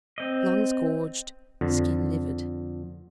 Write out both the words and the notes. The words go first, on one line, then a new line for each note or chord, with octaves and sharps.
Lungs gorged, skin livid.
C4 D#5
F2 D3